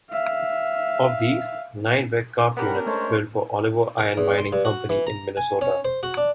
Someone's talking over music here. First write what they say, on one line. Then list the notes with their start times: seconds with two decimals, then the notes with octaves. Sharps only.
Of these, nine were "calf" units built for Oliver Iron Mining Company in Minnesota.
0.10 E5 F5
2.57 B3 C#4 D4 G4 A#4 F#5 B5
2.86 G#3 A3 C5 C#5
3.99 A#4
4.17 E2
4.38 C6
4.52 G2
4.65 F#4
4.89 E3
5.07 A#5
5.37 G#5
5.61 C#4
5.85 C5
6.03 F#4
6.17 D4